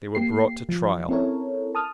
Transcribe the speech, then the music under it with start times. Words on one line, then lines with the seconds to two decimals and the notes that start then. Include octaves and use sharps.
They were brought to trial.
0.15 A#3 G4 C7
0.69 F3
1.09 C4 C#4 E4 A4 A#4 C#5
1.75 A5 D#6 F6